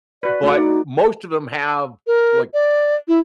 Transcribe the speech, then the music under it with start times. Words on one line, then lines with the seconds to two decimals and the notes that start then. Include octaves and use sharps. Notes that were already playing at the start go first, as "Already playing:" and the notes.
but most of 'em have, like,
0.23 F#4 B4 D5
0.43 A3 D4 F#4 F#5
0.56 D#4 D5
2.07 A#4
2.54 D5
3.08 E4